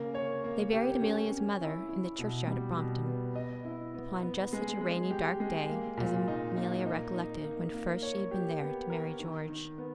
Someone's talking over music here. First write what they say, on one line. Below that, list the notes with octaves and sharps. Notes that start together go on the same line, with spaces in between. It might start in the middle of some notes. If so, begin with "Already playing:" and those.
They buried Amelia's mother in the churchyard at Brompton, upon just such a rainy, dark day as Amelia recollected when first she had been there to marry George.
Already playing: C#3 A#3
C#5
A#3
G4
C#4
C#4
E4
E4
B2
G3
B2
B3
D#5
E4
B3
B3
G#3
G#3
G4
G#3
A#3
A#2
D#4
A#3
D#4
D#4
A#3
A#3
C#5
G4
B3
A#4
D#3
D#3
B3